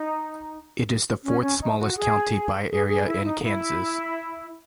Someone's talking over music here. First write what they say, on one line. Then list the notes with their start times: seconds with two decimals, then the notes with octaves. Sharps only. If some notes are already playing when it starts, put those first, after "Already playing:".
It is the fourth-smallest county by area in Kansas.
Already playing: D#4
1.24 C#4
1.42 C#4
1.61 D#4
1.79 F#4
1.97 G#4
2.70 G#4
2.89 G#4
3.07 E4
3.25 D#4
3.43 E4